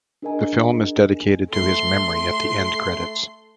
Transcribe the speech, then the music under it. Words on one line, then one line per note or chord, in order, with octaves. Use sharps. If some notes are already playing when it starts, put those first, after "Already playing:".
The film is dedicated to his memory at the end credits.
D4 G#4 A#4 D#5 G#5 A#5
A3 C6